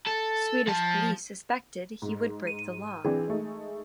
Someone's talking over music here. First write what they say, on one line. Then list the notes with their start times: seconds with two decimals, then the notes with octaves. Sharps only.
Swedish police suspected he would break the law.
0.06 A4
0.67 F3 A5
2.02 G#2
2.47 D#7
3.05 E3 C4 D4 G#4
3.28 G#3 A3 D#4